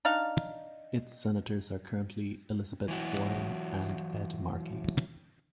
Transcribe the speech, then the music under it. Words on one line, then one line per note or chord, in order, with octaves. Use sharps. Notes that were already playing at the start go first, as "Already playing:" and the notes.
Its senators are currently Elizabeth Warren and Ed Markey.
D4 D#4 F5
E3 F#3 E4 F#4